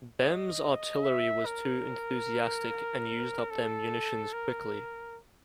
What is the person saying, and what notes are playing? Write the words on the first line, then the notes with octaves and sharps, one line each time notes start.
Bem's artillery was too enthusiastic and used up their munitions quickly.
D#5
E5
A#4
A4
A#4